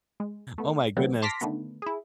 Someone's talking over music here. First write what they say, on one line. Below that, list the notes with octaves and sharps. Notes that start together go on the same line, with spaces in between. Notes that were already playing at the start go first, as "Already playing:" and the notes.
Oh my goodness.
G#3
A3 B3
D3 F#3 A3 B3 C4
A5 C6 D6 F6 A#6 B6
D3 D#3 A3 B3
E4 G#4